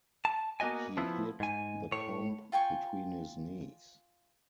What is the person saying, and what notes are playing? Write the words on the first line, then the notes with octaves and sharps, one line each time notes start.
He hid the comb between his knees.
A5
A#3 B3 F#4 D#5 G#5
F3 B3 E4
G#2 G#5
A2 C#5
F4 G5 G#5 C#6